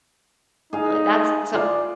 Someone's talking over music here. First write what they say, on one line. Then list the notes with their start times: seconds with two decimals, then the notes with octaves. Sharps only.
Really? That's so
0.73 D#4 G#4 F5
1.54 F4 D5